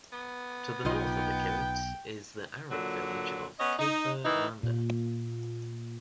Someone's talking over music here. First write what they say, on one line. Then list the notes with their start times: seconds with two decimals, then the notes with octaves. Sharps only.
To the north of the kibbutz is the Arab village of Kafr Manda.
0.13 B3
0.85 B1 D#4 F4 D#5 G5
2.71 A#2 D3 F#3
3.58 B3 C#4 D#5
3.79 D#4
4.24 D#3 E3 D#4
4.63 A#2